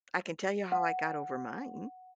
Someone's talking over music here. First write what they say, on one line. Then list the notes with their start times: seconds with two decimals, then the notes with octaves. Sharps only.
I can tell you how I got over mine.
0.72 F#5